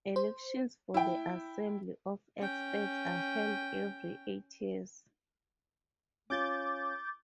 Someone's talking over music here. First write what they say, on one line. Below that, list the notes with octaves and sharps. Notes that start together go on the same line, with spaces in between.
Elections for the Assembly of Experts are held every eight years.
C5
E4 G5
C#4 G5
C#4 F4 D6 G6 A6